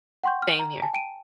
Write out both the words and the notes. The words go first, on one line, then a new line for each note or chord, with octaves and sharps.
Same here.
F#5 G5 C6 C#6 G6
F6
A#5
G#5 A5
G5 D7 D#7